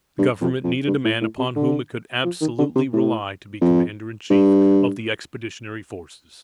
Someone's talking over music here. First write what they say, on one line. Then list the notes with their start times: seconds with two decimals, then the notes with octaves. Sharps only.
The Government needed a man upon whom it could absolutely rely to be Commander-in-chief of the Expeditionary Forces.
0.18 G2
0.41 F2
0.64 F2
0.87 G2
1.04 A2
1.21 A2
1.38 C3
1.56 D3
2.24 F3
2.41 D#3
2.58 D3
2.76 C3
2.93 A2
3.61 F2
4.30 G2